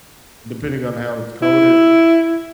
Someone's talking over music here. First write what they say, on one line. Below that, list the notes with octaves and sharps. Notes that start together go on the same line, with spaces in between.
depending on how it's coded
E4